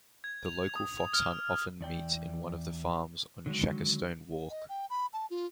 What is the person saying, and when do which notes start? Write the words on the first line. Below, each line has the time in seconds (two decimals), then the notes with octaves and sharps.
The local fox hunt often meets in one of the farms on Shackerstone Walk.
0.24 G#6
0.46 F7
0.76 D#6
0.93 F7
1.13 F6
1.81 E2 D5 G5
3.46 D3 D#3 F#3 G#3
4.50 D#5
4.69 G5
4.90 B5
5.13 A5
5.30 F4